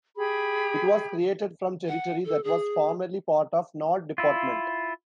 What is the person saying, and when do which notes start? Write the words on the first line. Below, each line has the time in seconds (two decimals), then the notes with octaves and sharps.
It was created from territory that was formerly part of Nord Department.
0.16 G4 G#4 B5
1.88 F#5
2.26 A4
2.44 G#4
4.18 E4 F4